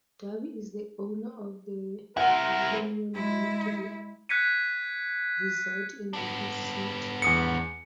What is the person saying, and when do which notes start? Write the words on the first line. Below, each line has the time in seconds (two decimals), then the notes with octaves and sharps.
Derby is the owner of the Canyon Lake Resort in Rapid City.
2.17 C4 E4 A#4 F#5
3.14 G#3 E4
4.29 F#6 G#6 B6 C#7 D#7
6.13 B3 D4
7.22 E2 D#6 C#7